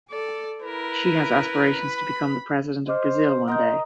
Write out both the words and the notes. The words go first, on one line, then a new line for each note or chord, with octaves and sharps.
She has aspirations to become the president of Brazil one day.
A4 D5
E4 A#4 B4
B5
C5 D#5 D6 F6
A#4 D#5 F#5 A#5 C6 G6